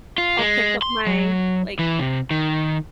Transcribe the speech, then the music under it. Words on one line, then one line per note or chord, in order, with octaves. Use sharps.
I'll pick up my, like,
F4
G#3
C6
F#3
E3
C3
D#3